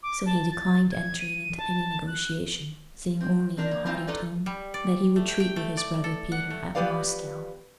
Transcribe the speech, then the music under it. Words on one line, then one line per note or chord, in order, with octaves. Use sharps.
So he declined entering into any negotiation, saying only in a haughty tone "that he would treat with his brother Peter at Moscow."
D6
A5
A6
G#6
D#7
A5
F#6
C4
C4 D4 A#4
A#3
E3 C4 D#4 F4 C5 F5
D4 D#4 F4 A4 B4 D5
G3
D5
A3
G5
G5
A3
D5
A4
F#5
A3
F3 B3 G4 B4 D5 F5